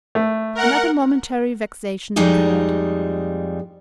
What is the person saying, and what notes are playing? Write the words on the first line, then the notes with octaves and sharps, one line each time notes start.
Another momentary vexation occurred.
A3
A#4 F#5
F2 G3 G#3 D#4 D#5